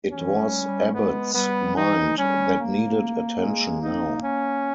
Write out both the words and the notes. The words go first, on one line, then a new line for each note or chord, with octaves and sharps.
It was Abbott's mind that needed attention now.
E3 C#4
G3
G3
G#3 B3
G3 B3
E3 D#4
G3 C#4
A#3
G#3
D#4
C#4